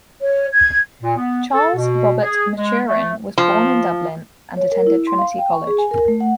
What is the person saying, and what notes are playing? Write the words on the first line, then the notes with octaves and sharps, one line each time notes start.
Charles Robert Maturin was born in Dublin and attended Trinity College.
C#5
G#6
A#2
B3
A4
B2
G#4
G#3
A3
F3
C#5
A#4
E4
C6
F5
G5
C#6
G#4
G#5
A#4
A3
F#5